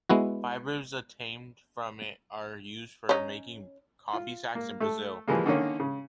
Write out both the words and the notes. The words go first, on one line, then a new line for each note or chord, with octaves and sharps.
Fibres obtained from it are used for making coffee sacks in Brazil.
G#3 B3 E4 F#4
C#4 D#4
F4
A#3
A3 A4
E3 F3 G3 G#3 A#3
D3 D#3 A#3 C#4
C#3